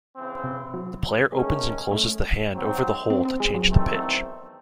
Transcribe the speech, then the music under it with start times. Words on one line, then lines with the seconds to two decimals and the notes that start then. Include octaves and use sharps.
The player opens and closes the hand over the hole to change the pitch.
0.14 C#3 E3 C4
0.44 C3
0.74 F#3
1.32 D#3 G#3 A3 C#4
1.92 A3
2.51 G#2 F#3 C4
3.10 C4
3.25 C4
3.40 G#3
3.54 F#3
3.69 E2 D#3 A3 C4